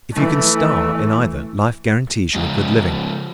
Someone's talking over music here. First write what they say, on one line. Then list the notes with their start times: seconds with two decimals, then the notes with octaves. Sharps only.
If you can star in either, life guarantees you a good living.
0.13 E3 A3
2.35 C#3 F3 G#3